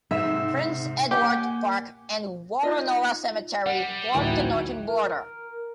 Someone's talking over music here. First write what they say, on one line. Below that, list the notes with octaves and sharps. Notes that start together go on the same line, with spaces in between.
Prince Edward Park and Woronora Cemetery form the northern border.
G#2 C3 E5 E6 E7
A#3 G4 F#5 G#5
D#4 F4 D#5
G3 F#5
A1 D2 E3 F#3 D#4 E4 G5
A#4